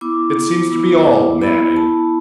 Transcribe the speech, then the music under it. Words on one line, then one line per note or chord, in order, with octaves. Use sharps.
"It seems to be all Manning!"
B3 E4 D6
B3 E4
B3 E4 B5
A5